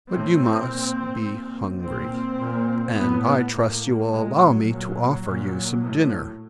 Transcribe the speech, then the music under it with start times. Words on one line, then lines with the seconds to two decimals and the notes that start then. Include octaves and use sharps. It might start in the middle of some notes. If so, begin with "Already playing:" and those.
But you must be hungry, and I trust you will allow me to offer you some dinner.
0.10 A2 C4
0.68 A#2
1.25 A#2
1.82 A#2 C4
2.38 A#2
2.96 A2 B3
3.25 B3
3.53 A2 A#3
4.10 A#2 G#3
4.38 F#3
4.67 A#2 F#3
5.24 A#2
5.82 A2